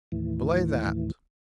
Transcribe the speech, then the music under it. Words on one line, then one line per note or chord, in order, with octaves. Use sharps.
"Belay that!"
D#2 A2 E3